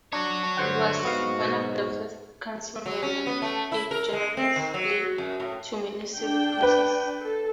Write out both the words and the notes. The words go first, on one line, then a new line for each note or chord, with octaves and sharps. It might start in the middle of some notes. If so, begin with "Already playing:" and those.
He was one of the first "councilmen" and gave generously to many civic causes.
D4 F#4 C#5
G2 D3 C5 F#5
G#2 B3 F5
B2
F#3
C#4
B3
A3
E4
A#4
G#3
C4
D#3
F#3
F#2
A2
D4 G5
B4
A4